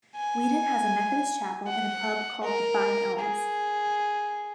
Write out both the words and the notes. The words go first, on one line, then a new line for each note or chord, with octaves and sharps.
Weedon has a Methodist Chapel and a pub called the Five Elms.
G#5
F#5
A#4
G#4